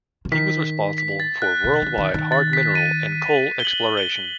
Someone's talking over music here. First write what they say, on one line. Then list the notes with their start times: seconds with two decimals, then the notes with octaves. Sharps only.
He was responsible for worldwide hard mineral and coal exploration.
0.25 C3
0.31 D#3 B6
0.98 B6
1.20 A6
1.42 F#6
1.64 C3
1.82 D#3
1.98 D#3
2.14 D#3
2.32 A6
2.53 B6
2.75 D#7
3.60 G7
3.65 F#7
3.97 G7